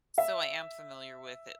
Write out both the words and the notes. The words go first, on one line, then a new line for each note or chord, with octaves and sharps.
So I am familiar with it
E5